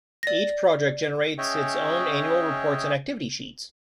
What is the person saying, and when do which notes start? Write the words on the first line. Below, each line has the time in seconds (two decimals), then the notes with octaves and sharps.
Each project generates its own annual reports and activity sheets.
0.23 D5 A#6
1.38 C#4 G#4 C#5 D#5 E5 G5